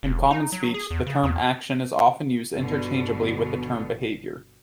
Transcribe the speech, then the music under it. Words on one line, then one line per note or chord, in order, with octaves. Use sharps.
In common speech, the term action is often used interchangeably with the term behavior.
E1
D#4
F#3
G#4
E2
C#3
E2
G1 B2 D3